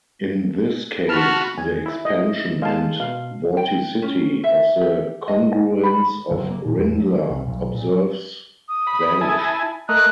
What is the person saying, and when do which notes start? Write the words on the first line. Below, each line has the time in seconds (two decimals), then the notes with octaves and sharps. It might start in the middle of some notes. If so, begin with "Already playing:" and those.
In this case, the "expansion" and "vorticity" of the congruence of Rindler observers "vanish".
1.09 F#4 A5 B5 F6
1.58 E2 G#5
1.86 E4
2.05 D#5
2.62 G#3 F5 A5
3.00 B2 F5
3.57 G5
4.02 C#4
4.44 E5
4.81 G4
5.28 D#5
5.84 B5
6.31 F#1
6.51 A#3
6.66 A#2
6.78 E2
7.00 F#3
7.16 E3
7.30 C2
7.48 B1
7.75 A#2
7.89 F#3
8.69 D#6
8.87 B5
9.21 E4 G#5 A5
9.89 A3 A#4 D#5 F#6